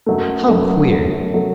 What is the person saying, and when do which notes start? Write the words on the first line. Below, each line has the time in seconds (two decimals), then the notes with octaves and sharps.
How queer!
0.06 F#2 F#3 A3
0.49 F#2 F#3 A3
0.90 F#2 F#3 A3
1.34 F#3 A3